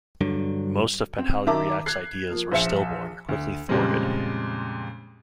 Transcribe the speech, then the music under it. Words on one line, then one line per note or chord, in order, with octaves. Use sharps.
Most of Penhalluriack's ideas were stillborn or quickly thwarted.
G2 D3 F#3
C4
D#3 E5 A5 A#5 D6
F#6 G#6 C7
F3 A#3
A#1 C5 E5 C#7 E7
D2
F2 A#2 C#3 G3 G#3 C4